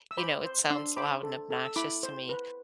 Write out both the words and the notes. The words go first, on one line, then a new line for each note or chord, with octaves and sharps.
you know, it sounds loud and obnoxious to me,
E6
C5 B5 D6
C5
D4 C6 E6
C5 B5 D6
A4
A4
E6
E4 B5 D6
C5
B4